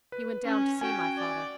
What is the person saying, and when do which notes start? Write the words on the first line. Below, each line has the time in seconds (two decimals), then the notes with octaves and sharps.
He went down to see my father.
0.12 B4
0.45 C#4
0.81 C#4 F#4 G5 G#5
1.18 D5